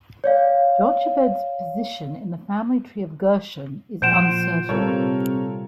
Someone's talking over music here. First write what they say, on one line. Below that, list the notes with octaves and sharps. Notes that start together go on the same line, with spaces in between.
Jochebed's position in the family tree of Gershon is uncertain.
C#5 D5 F5
A#2 F3 C5 F#5 G6 D7 E7
C3 G3 C4 F4 A4 A#4 C#5